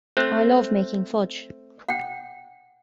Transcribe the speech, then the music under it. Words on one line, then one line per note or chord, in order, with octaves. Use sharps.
I love making fudge.
A3 C4 C5
F#5 G5